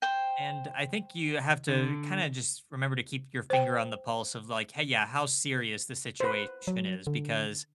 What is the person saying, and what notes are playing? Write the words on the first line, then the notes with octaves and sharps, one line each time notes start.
And I think you have to kinda just remember to keep your finger on the pulse of, like, hey, yeah, how serious the situation is, because
C5 G5
D3
C5 G5
B4 C5
F#3
D3